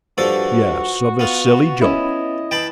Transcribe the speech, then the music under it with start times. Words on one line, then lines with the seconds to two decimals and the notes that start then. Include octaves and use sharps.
"Yes, of a silly joke."
0.18 G2 F3 F#4 A4
1.19 B3 F4
1.81 C#4 E4 D#5
2.51 E3 G5 A5 B5